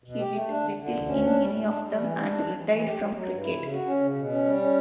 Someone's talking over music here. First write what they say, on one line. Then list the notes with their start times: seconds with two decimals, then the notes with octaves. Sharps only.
He did little in any of them, and retired from cricket.
0.04 B2
0.18 G4
0.33 A3
0.48 D4
0.63 D3
0.77 D3
0.92 D2
1.06 C#4
1.22 D4
1.36 G3
1.51 A2
1.65 D4
1.80 G3
1.95 E3
2.10 G3
2.24 D4
2.39 E3
2.53 E3
2.68 E3
2.83 G4
2.97 F#3
3.13 F#3
3.27 G2
3.41 E4
3.56 C#3
3.71 F#4
3.86 C#4
4.01 C#3
4.15 B2
4.30 C#4
4.45 G3
4.59 C#4